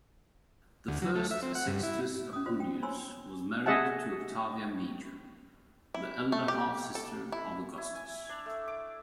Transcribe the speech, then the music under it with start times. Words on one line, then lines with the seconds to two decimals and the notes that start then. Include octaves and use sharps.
The first Sextus Appuleius was married to Octavia Major, the elder half-sister of Augustus.
0.88 D2
1.02 F#3
1.15 A3
1.31 E5
1.42 C4
1.55 F#5
1.67 G2
1.83 E4
2.33 C#4 D#6
2.46 F4 F#4 C5 D5
2.60 G5
2.82 C5 C#5 G#5 B5 C6 E6
3.66 A3 G#4 D#5 E5 F#5 A5
5.94 E4
6.32 A3
6.48 G4
6.95 A4
7.32 E4
7.78 E4
7.95 G#5
8.29 D4
8.46 A3
8.68 D6